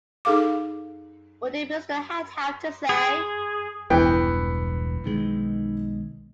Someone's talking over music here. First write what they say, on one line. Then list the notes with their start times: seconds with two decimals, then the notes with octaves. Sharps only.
What did Mr. Haight have to say?
0.25 D#4 G#4 A4 F5 D6
2.89 G#4
3.90 E1 B1 G2 E3 B3 G5
5.04 B1 D#3 G#3